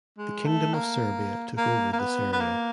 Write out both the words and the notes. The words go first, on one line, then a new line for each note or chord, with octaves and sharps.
The Kingdom of Serbia took over this area.
G#3
A3
A#3
A#3
A#3
B3
B3
A#3